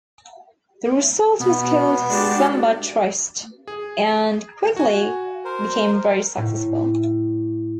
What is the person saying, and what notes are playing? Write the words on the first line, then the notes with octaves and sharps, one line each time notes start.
The result was called "Samba Triste" and quickly became very successful.
B2 B3
G#3 D4 F#4 G4 A5
G#4
F#4 G#5
A#4 C5
A2